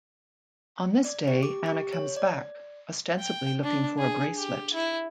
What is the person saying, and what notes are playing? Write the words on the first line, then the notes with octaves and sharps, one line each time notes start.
On this day, Anna comes back, ostensibly looking for a bracelet.
D5
G4
D6
G4
C#5
D5
G5
D4
G#4
G4
E4